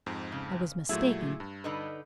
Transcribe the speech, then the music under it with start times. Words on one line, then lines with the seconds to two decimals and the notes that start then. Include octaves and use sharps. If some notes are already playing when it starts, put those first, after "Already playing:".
I was mistaken.
0.06 F2 G#2
0.32 C#3
0.89 A#2 F#3 A3 E4 G#4
1.40 G2
1.64 D3 D#4 B4